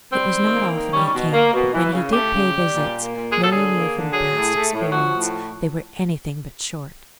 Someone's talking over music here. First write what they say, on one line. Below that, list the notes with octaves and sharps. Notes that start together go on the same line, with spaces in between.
It was not often he came, but when he did pay visits, Mary knew from past experience they were any thing but short.
G3 C4
D#3
A#3
D#3
G3 C#4
C#4
B2
A#3
B2
E3
C#3
A3 G4
C#3
G3
A#2
A#3
A#2
F#3 G#4
A4
D3 G#4
A#3
D3
F#3 G#4
A2
A3
A2
F3 F#4
A2